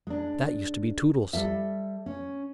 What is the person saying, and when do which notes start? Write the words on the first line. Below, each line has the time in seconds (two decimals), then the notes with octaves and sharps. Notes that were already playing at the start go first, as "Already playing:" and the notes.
That used to be Tootles.
0.07 G#3 D4
1.33 G3 A4 E5
2.06 C#4